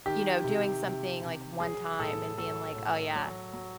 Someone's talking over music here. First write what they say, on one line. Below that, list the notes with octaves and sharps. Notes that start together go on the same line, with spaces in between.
you know, doing something, like, one-time and being like, "Oh yeah”
D#3 G4
C3
C3
C3
F#3 G#4
A2 A4
F#3 A4
A2
F#3
F#3